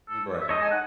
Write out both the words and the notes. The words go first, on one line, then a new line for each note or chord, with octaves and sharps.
M right.
A4
E5
G#3 D#4 A4 C#5 D#5
G#5
F#5